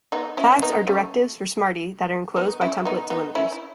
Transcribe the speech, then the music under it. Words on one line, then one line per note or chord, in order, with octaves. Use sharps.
Tags are directives for Smarty that are enclosed by template delimiters.
B3 D#4
C#4 E4
C#4
B3 D#4
A3 C#4
B3 D#4
C#4 E4
B3 D#4
B3 D#4
C#4 E4
E4